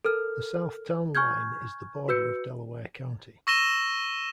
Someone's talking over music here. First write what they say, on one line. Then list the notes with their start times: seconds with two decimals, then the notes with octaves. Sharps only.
The south town line is the border of Delaware County.
0.05 A4 A#4 F6
1.15 G#5 C#6 F6 G6 G#6
2.08 F#4 B4 E6 G6 C#7
3.47 C#6 E6 A#6 D#7 E7 G7